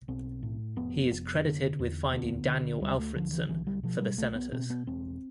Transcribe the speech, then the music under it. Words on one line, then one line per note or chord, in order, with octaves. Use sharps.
He is credited with finding Daniel Alfredsson for the Senators.
B1 C4
A2
F1 B3
F1
D3
E2
D2 B3
D3
D2 G3
A3
D3 F3
E3
B1 E3
G3
B2 F3
G3
B1 A3
B3
B2 C4
B3
E1 C4